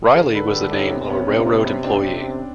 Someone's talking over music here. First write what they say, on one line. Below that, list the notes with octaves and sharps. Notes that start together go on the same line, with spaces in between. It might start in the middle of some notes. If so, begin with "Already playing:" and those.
Riley was the name of a railroad employee.
D3 G#4 A#4
A4 B4
G4 A4
C#4 D#4
C3 B3
B3 C#4
C3 C4 D4
B3 C#4
B3 C#4
C4 D4
C3